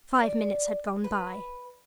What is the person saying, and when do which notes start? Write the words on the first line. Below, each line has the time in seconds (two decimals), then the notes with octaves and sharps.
Five minutes had gone by.
0.19 D5
1.04 B4